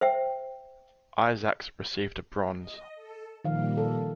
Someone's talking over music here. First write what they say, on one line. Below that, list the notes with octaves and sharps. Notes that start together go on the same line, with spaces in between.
Isaacs received a bronze.
C5 E5 G5
D#5
A4
A#2 D#3 F3 G3 A#3 F5
A4